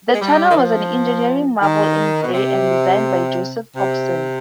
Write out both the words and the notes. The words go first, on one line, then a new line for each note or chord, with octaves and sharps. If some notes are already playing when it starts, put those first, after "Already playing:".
The tunnel was an engineering marvel in its day and designed by Joseph Hobson.
G#3
G3
D#3
F3
D#3
B2
C3
C3